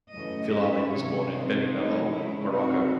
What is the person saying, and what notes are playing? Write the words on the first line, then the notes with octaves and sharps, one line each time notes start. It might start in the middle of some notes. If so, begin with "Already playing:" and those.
Filali was born in Beni Mellal, Morocco.
F#2 C#3 E3 A3 C#4 D#5
F#2 D#3 G#3 C#4 E5
C3 D#3 F#3 C#5
C3 E3 C4 D#4 C5
C3 E3 A3 D#4
C#3 G#3 C#4 E4
C3 F#3 C4 D#4 F#4